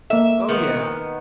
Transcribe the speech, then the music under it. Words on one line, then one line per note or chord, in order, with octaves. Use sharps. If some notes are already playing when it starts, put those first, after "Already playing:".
Oh, yeah,
A#3 A4 E5
D#3 B3